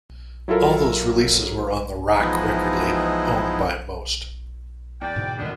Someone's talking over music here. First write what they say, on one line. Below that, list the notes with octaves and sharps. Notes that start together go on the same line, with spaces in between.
All those releases were on the Rak record label, owned by Most.
F#3 E4 F4 A4 A#4
E3 F3 G#3 B3 D#4 E4
E2 D5 G5
G#2 B2 D3
D1 G#1 G3 B3 D4